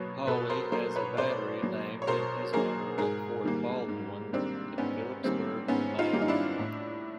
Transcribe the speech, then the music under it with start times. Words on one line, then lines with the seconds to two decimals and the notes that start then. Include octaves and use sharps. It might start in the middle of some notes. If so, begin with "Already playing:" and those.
Hawley has a battery named in his honor at Fort Baldwin, in Phippsburg, Maine.
Already playing: B2 F#3 A#3 B4 C#5
0.27 B2 A4 B4
0.50 A#4 C5
0.72 F#3 A#3 A#4 C5
0.96 B4 C#5
1.17 B2 C5 D5
1.62 F#3 A#3
2.02 C#5
2.07 B2 A#4 C5
2.53 F#3 A#3 G#4 A#4
2.98 G#2 G#4 A#4
3.44 D#3 G3 A#3
3.88 G#2
4.33 D#3 G3 A#3 C4 D4
4.78 G#2 B3 C#4
5.23 D#3 G3 A#3 C4
5.68 G#2 B3 C#4
5.99 D#4 F4
6.13 D#3 G3 A#3
6.22 D#4
6.28 D4 E4
6.59 A2